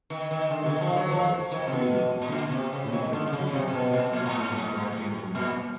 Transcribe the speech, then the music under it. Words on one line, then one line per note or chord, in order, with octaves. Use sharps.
It is omnivorous, feeding on seeds, green vegetation, insects, and dried animal matter.
D#3
D#3
D3
D#3
F3
F#3
F3
D#3
C3
B2
A2
A#2
C3
C#3
D#3
D3
D3
C#3
C3
C3
B2
A#2
A#2
A2
G#2
A2
A#2